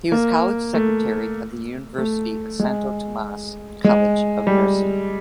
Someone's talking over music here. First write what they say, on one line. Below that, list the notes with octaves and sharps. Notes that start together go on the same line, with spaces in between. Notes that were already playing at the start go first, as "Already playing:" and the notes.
He was college secretary of the University of Santo Tomas College of Nursing.
A#3
A3
A3
G#3
G#3
G3